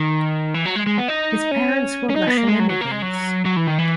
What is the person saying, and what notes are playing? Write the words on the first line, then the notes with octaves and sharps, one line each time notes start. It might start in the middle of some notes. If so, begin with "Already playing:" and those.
His parents were Russian immigrants.
Already playing: D#3
E3
F#3
G#3
G#3
B3
D#4
C#4
C#4
D#4
B3
A#3
G#3
F#3
F#3
A#3
G#3
F#3
F#3
E3
D#3
E3